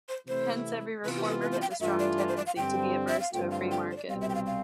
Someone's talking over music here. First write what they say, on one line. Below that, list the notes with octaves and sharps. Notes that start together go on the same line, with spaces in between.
Hence every reformer has a strong tendency to be averse to a free market.
C5
C3 E3 A3 C4 E4 C5
C3 E3 B3 F4 B4
G4
A4
B4
C5
G5
F5
G2 E3 A3 D4 F4 E5
D5
D5
C5
D5
F5
G2 D3 G3 C4 G5
E5
F5
G2 D3 A3 C4 F4 G5
F5
G5
C5
D5
C2 B2 G3 C4 F5
E5
G5
F5
F5